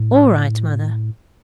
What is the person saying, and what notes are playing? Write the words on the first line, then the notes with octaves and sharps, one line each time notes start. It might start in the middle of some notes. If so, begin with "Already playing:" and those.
'All right, Mother.
Already playing: A2